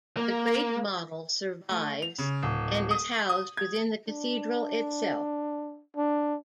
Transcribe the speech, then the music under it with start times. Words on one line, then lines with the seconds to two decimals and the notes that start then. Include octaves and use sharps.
The Great Model survives and is housed within the Cathedral itself.
0.17 A#3
1.69 A3
2.02 F7
2.18 C#3
2.43 D1
2.91 D#6
3.29 D#6
3.57 G#6
4.08 D4
5.96 D4